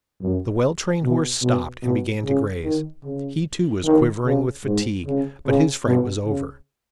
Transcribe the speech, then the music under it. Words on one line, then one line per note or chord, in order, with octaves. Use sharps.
The well-trained horse stopped and began to graze; he too was quivering with fatigue, but his fright was over.
F#2
B2
B2
B2
C#3
D#3
C#3
D#3
C#3
G#2
C#3
C#3
B2
C#3